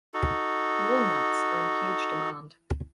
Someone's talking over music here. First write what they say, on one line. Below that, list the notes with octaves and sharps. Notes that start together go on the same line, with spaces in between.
Walnuts are in huge demand.
D#4 F#4 A4